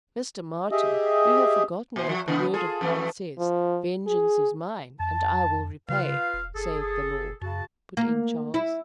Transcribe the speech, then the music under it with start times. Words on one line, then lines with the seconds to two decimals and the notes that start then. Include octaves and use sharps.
"Mr. Martin, you have forgotten that the word of God says, 'Vengeance is mine and I will repay, saith the Lord,'" put in Charles.
0.71 G4 G#4 D#5 E5
1.96 A#2 C5
2.09 F3
2.28 C#3 E3 B3
2.54 F4 G#4 A4
2.81 F2 E3 A3
3.39 F3
4.07 G#4
5.00 F2 A5
5.89 C#3 F4 B4 F5
6.34 E1
6.55 F#1 G#4 A4
7.42 F#2 C#3 F#4 A5
7.97 A#3
8.54 E4